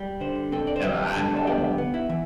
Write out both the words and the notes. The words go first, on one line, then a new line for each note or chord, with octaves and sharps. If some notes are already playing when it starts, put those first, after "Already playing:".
Am I Normal?
Already playing: G3
D3 C5
C4 A4
D5
C5
G3 B4
D3 A4
A4
B3 G4
B3
E4
E3